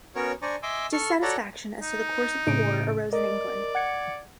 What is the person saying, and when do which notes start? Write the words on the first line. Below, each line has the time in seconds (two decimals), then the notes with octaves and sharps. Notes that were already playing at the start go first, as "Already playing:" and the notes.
Dissatisfaction as to the course of the war arose in England.
0.15 B3 C#4 F#4 A#4 C#5
0.42 D4 C5 D5 G#5 A#5 C#6
0.63 D#5 E5 G#5 C6 D6 E6
0.92 A4 C#6 F6
1.22 F#4 A4 C#5 D5 F#5 A#5
1.81 D#4
2.47 A2 C#3 D7
3.12 A#4 D5 D#5
3.75 F#5 G#6 C#7